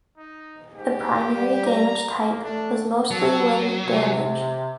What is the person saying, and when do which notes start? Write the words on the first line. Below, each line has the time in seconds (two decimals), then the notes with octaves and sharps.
The primary damage type was mostly wind damage.
0.18 D#4
0.76 G#2 G4
1.34 G3
1.66 A#5
2.10 A#3
2.44 A3 D4
3.11 F#3 A4
3.82 C3